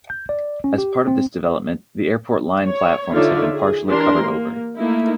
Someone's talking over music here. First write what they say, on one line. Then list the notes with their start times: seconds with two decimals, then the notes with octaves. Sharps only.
As part of this development, the Airport line platforms have been partially covered over.
0.10 G6
0.29 D5
0.64 C#4
0.78 G4
1.08 C4
2.64 C#5
3.11 D3 D#4 F4 C#5 D5 E5
3.52 G#4
3.87 E3 D4 G4 A#4 C6
4.23 A#3
4.76 A3 A#3 D#4 E4